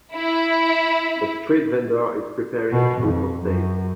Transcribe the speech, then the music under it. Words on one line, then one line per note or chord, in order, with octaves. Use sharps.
A street vendor is preparing food for sale.
E4
B2
F2
F#2